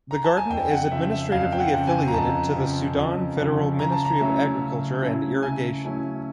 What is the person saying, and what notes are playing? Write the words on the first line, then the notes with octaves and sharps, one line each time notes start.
The garden is administratively affiliated to the Sudan federal Ministry of Agriculture and Irrigation.
A#5
A5
G#5
F2 G5
F#5
C#3 F3 E5
E5
F2 F5
G5
F#5
C#3 F3
G#5
A#5
F2 A5
C#3 F3
F2
C#3 F3
C#3 A#5
A5
A#5
F#3 A3 C#4 E4
C#3
F#3 A3 C#4 E4
C#3 G#5
F#3 A3 C#4 E4